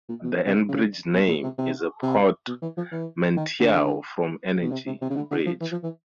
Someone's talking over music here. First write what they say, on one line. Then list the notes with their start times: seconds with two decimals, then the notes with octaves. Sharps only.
The Enbridge name is a portmanteau from "energy" and "bridge".
0.09 A#2
0.24 B2
0.46 C3
0.69 C#3
1.13 B2
1.28 A#2
1.43 C3
1.58 C3
2.03 C3
2.47 B2
2.62 E3
2.77 F3
2.92 E3
3.37 D#3
3.60 D3
4.61 B2
4.72 C3
4.86 C3
5.01 C3
5.10 C#3
5.16 D3
5.31 D3
5.46 F3
5.61 E3
5.72 F3
5.83 E3